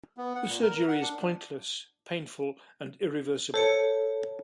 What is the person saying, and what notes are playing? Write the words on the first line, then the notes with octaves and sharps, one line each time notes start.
The surgery is pointless, painful and irreversible.
B3
F#5
A#2
A#4
A#4
F#5
D4
A4 C5 C#5 C#7